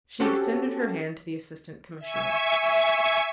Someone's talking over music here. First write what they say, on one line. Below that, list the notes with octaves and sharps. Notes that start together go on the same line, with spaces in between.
She extended her hand to the Assistant Commissioner.
C4 C#4 F#4 G4 A4
E5 G#5 C#6